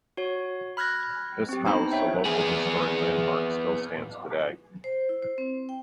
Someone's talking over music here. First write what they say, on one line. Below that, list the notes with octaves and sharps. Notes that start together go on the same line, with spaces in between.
This house, a local historic landmark, still stands today.
F#4 C#5
B5 F6 F#6 G#6 A#6
C4 G4
B3 D4 D#4 C5 A#5 B5
C#5 E5 G5
B3 G#4
C5
E4
C5
C4
G5